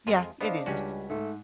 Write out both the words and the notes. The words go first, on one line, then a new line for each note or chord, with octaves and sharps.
Yeah, it is.
F2 G#3 F4
B3 D4 C5 D#5 F5
C#2 G3 C#4 F#4
G#2 A3